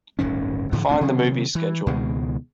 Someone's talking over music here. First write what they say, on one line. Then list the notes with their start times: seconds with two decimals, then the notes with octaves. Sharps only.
Fine the movie schedule.
0.19 D1 G1 D#3 C#4
0.72 G#2 D3 E3 F3
0.88 D#1 C#2 C4 D4
1.01 C3 D#3 F#3
1.55 E3
1.86 C#2 B2 D#3 G#3